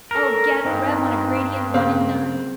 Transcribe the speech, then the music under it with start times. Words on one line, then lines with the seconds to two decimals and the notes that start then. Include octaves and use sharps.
O, get, rev on a gradient one in nine.
0.11 A4 A#4 A#5
0.65 G2 C4 D#4
1.74 C#3 C4 F5